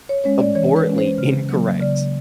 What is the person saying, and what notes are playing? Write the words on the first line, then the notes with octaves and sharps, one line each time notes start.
abhorrently incorrect
C#5
G#3 C#4 C#5
D5
E3 C#5
B4
G#3 C#4
C5
C#3
F#3 A#3
C#3 D5